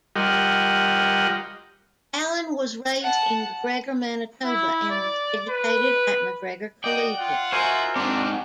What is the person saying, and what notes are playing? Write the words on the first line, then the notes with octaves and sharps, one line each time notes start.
Allan was raised in MacGregor, Manitoba and was educated at MacGregor Collegiate.
G3 F4 G4 A#4 D#5 F#5
F#5 A5
E4
D5
B4
F#4 D5 D#5 G5
F4 F#5
E4 F#4 A#4 C5 D#5 G#5
G#2 C4 D4 G4